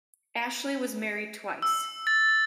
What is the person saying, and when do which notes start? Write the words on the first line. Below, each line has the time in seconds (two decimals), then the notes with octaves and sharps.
Ashley was married twice.
1.62 E6
2.07 A6